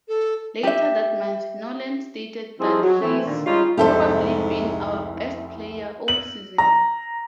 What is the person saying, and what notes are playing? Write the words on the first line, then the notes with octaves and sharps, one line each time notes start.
Later that month Nolan stated that "he's probably been our best player all season".
A4
G4 E5
F3 G3 C4 D#4 E4 G#4
F#3
E3 A3 C4
A#2 D3 D#3
G3 G#3 C#4 D#4 F4
F1 C2 G#2 G4 A4 C5 E5
F#7
A#5